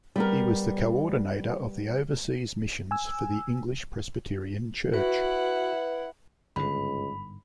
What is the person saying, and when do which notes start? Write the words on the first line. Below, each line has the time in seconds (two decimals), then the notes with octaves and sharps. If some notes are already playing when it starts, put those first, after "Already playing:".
He was the coordinator of the Overseas missions for the English Presbyterian church.
0.16 G3 B3 A#4
2.91 G#5 E6
4.94 E4 F#4 B4 F#5
6.56 G1 C#2 G#2 D3 B5